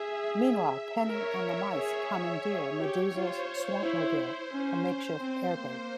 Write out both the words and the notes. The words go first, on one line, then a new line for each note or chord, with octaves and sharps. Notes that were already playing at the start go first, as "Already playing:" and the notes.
Meanwhile, Penny and the mice commandeer Medusa's swamp-mobile, a makeshift airboat.
Already playing: G#4 E5
A#4 C#5
E5
G#4 C#5
G#4
G4
F4 C5
E4
C#4 C5
C4
A#3